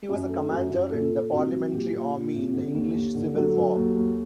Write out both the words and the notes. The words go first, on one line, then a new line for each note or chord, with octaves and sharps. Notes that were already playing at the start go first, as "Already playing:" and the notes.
He was a commander in the Parliamentary army in the English Civil War.
F#2
A3
F#2
F#2
A#2 A4
A#2
C2 F#4
F#3
A#2 G4
A#2
A#2
C2
D3
D#2
D#2
D3
F#3 A4
F#3
D#2
D#2